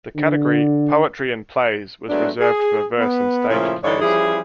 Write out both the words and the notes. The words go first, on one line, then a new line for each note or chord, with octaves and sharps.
The category "Poetry and Plays" was reserved for verse and stage plays.
D3
F#3 G#3 A3 B3 D4
G#4
B3
A#2 C#3 F3 A3 C#4 E4
D3 E3 D#4 A4 C#5 D5
E3 F3 G3 C#4 E4 G#4